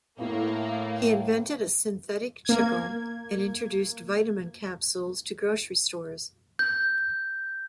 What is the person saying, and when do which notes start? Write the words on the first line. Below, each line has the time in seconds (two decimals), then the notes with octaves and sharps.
He invented a synthetic chicle and introduced vitamin capsules to grocery stores.
0.19 A2 A#3 B3 E4 F5
2.45 A#3 G#6
6.59 G6